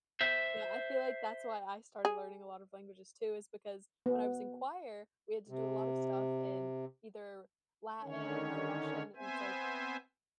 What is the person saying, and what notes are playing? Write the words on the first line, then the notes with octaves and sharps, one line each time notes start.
Yeah I feel like that's why I started learning a lot of languages too is because when I was in choir we had to do a lot of stuff in either Latin or Russian and it's like,
C5 E5
G#4
B3
C3
D3 D#3 C#4 C#5
B3 C4 C5 E5 G#5